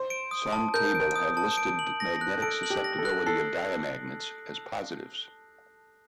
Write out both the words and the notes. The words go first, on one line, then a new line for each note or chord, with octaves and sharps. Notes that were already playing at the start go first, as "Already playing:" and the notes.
Some table have listed magnetic susceptibility of diamagnets as positives.
Already playing: C5
D7
D#6
A5
A#4 G6
D7
D#6
A5
D7
F#7
A#6
F#6
A4 D7
F#7
G4
A#6
A4
F#6
A4 C7